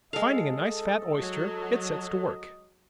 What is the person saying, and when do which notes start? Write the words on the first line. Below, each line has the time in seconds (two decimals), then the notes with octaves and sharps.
Finding a nice fat oyster, it sets to work.
0.13 G#3 A4 D#5 F5
1.18 F#3